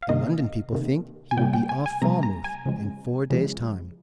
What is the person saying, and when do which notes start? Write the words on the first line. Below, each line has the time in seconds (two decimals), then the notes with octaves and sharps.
The London people think he will be off Falmouth in four days' time.
0.02 F5
0.09 C3 D#3 A#3 D#5
0.73 C3 D#3 A#3
1.31 G#5
1.37 C3 G3 A#3 G5
1.54 G5
1.69 G#5
1.86 G#5
2.02 C3 G3 A#3 A#5
2.23 A#5
2.44 G#5
2.66 C#3 F3 G#3
3.30 C#3 F3 G#3